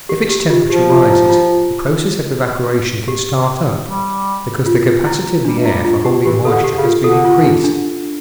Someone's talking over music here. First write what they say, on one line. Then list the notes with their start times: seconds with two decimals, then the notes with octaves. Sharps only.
If its temperature rises the process of evaporation can start up, because the capacity of the air for holding moisture has been increased.
0.09 G4
0.30 G4
0.50 F4
0.70 F3 G4
0.90 F4
1.09 E4
1.29 F4
3.08 G4
3.87 G3
4.66 F4
5.06 E4
5.45 G3 D4
5.58 A3
5.65 E4
5.70 G3
5.85 F4
6.05 G4
6.25 E3 G4
6.45 C#3 A4
6.51 D3
6.64 G4
6.77 C#3
6.84 F4
7.04 D3 A4
7.25 F4
7.44 D4
7.64 D4